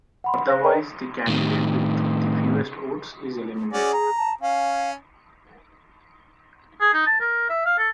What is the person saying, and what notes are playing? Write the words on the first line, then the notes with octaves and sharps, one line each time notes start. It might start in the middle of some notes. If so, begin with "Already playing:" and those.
Otherwise, the candidate with the fewest votes is eliminated.
F#5 B5 C6
C5 F5 F#6 A#6
A#4 B4 D5 D#5 G5 A#5
A2 D#3
C#4 F#4 G#4 D5
A#5
A5
C#4 F5
G#4
D#4
A5
A#4
E5
F5
A4